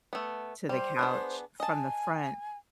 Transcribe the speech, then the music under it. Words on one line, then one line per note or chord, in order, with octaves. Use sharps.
to the couch from the front.
A3 B3
G3 C5
B3 D4 G#4
D#5 G#5 A5